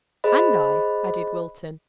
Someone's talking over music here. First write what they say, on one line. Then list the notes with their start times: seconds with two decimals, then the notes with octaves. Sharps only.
"And I," added Wilton.
0.24 G#4 C5 D#5 B5